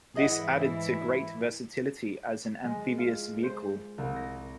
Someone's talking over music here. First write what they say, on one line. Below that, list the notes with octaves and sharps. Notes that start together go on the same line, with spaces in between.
This added to great versatility as an amphibious vehicle.
G#2 E3 E4 G#4 D#5 F#5
G#3
F4
C5
C2
A#6